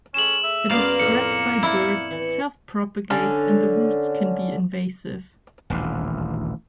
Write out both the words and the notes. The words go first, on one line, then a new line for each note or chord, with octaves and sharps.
It is spread by birds, self-propagates and the roots can be invasive.
A3 C#4 G#4 C6 E7 F#7
E5
F#2 A#3 B3 C5 D5 F5
F2 A2 C#7
E4 D5
E3
D3 C#4
D#1 A1 D2